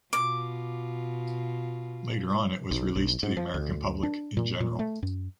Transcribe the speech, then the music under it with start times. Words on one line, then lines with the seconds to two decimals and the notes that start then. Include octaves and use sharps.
Later on it was released to the American public in general.
0.13 B2 F4 D6
2.71 B1
2.96 B1
3.23 G#2
3.37 F3
3.54 D2
4.03 D4
4.37 A#2
4.60 A#2
4.79 A3
5.03 F#2